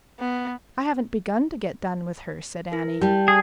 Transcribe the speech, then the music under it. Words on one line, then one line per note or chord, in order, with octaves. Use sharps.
"I haven't begun to get done with her," said Annie.
B3
E4 A#4
G3 G5 A5 G6
G#4